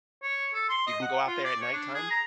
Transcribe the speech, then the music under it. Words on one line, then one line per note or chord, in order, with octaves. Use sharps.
You can go out there at nighttime.
C#5
A4
C6
D#5
F#5
F4
D5
C#5
D4
G#4
A#5